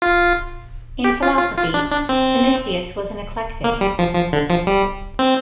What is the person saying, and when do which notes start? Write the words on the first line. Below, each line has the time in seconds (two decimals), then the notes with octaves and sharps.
In philosophy Themistius was an eclectic.
0.02 F4
1.04 G4
1.22 F4
1.39 F4
1.57 F4
1.74 D4
1.91 D4
2.09 C4
3.64 A#3
3.81 G3
3.99 F3
4.15 F3
4.33 D3
4.50 F3
4.67 G3
5.19 C4